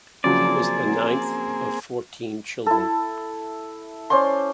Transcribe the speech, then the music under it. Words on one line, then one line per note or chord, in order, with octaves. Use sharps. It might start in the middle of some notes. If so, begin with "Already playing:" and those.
He was the ninth of fourteen children.
C#3 F3 F#3 A#3 C4 G#4 D5
E4 A4
C#4 C5 D5 C6